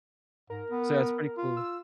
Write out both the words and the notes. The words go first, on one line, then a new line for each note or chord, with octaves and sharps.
So that's pretty cool.
G#2 A#4
B3
F4
E6